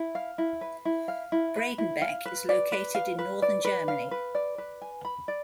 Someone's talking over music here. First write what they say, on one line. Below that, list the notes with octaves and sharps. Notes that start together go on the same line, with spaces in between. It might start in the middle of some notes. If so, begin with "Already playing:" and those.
Bredenbek is located in northern Germany.
Already playing: E4
F5
E4
B4
E4
F5
E4
B4
E4
F5
B4
D5
B4
F5
B4
D5
B4
F5
B4
D5
B4
G#5
B5
D5